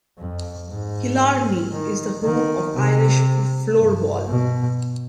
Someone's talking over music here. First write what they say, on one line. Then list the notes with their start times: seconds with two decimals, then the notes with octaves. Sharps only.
Killarney is the home of Irish floorball.
0.18 F2
0.69 G#2
1.72 D#3
2.23 D#3
2.74 C3
3.76 G2
4.28 B2